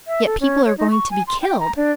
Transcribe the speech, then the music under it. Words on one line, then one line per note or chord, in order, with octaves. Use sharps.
Yet people are going to be killed.
E5
A4
C#4
C#5
D#4
C#6
G#5
C6
G5
A#5
D4